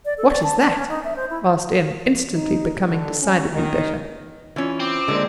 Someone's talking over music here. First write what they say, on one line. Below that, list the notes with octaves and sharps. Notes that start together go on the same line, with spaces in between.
"What is that?" asked Em, instantly becoming decidedly better.
D5
A4
D5
A5
D5
C#4
D#4
E5
C5
E4
D#4
D3
C#4
D#3
E3 C#4 F4
C4 D6
D3 G#3 A#3